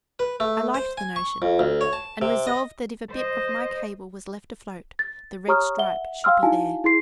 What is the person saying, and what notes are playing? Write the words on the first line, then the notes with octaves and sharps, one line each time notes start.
I liked the notion, and resolved that if a bit of my cable was left afloat, the red stripe should be there.'
B4
A3
C5
G#5
C#6
F2
D2
C#5
A5
C3
D#5
C5 D#5
A6
G4 C#5 A#5 C#6 D#6 F6
E5 F#5 G7
F5 G5 C6 E6 F6
D#4 E4 F#4 F5 G#5 A5
E4 G#4 C6 C7